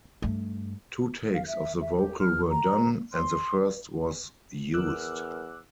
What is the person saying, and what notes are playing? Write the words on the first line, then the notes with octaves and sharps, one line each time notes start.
Two takes of the vocal were done, and the first was used.
G2 A3
F5
E5
E5
G4
F6
A#5
C6
E2 A#4 D6 E6 F#6